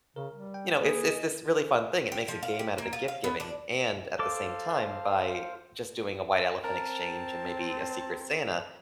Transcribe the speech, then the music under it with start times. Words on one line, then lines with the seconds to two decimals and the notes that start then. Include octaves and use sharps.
you know, it's it's this really fun thing. It makes a game out of the gift giving and at the same time, by just doing a white elephant exchange and maybe a Secret Santa,
0.16 C#3 A#4
0.33 G3
0.54 G5
0.79 A#3 G#4 B4
1.09 D#5
2.12 G4
2.28 F3
2.43 F5
2.59 G4
2.78 A#3
2.93 F4
3.08 F5
3.24 B3
3.40 D4
4.19 A4 C5 F5 D6
6.64 C4 A#4 A5